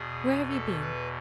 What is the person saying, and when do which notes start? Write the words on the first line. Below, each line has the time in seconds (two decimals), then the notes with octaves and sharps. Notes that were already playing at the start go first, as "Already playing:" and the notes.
Where have you been?'
Already playing: E2 B2 G#4
0.48 A4
0.80 B4